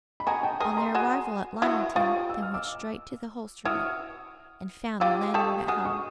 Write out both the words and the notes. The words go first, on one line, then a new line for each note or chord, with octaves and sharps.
On their arrival at Lymington, they went straight to the hostelry, and found the landlord at home.
B5
F#4 G#4 G#5 A#5
G5 A5
G#4 A#4 G#5 A#5
A#5 C6
F#4 G#4
E4 F#4 C#6 D#6
F4 G4 C#6 D#6
E6
F6
D6 E6
E4 F#4 D#6 F6
F4 G4 D6 E6
G4 A4 C#6 D#6
F#4 G#4 D#6 F6
C#6 D#6